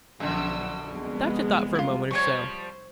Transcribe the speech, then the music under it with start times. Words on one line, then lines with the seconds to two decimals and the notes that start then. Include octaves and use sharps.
The doctor thought for a moment or so.
0.20 B1 F#2 B2 D3 F3 E5 E6
0.90 C2 F2 G#3 B3
1.75 E4 F4
2.11 F3 G3 C5 C#5 C#6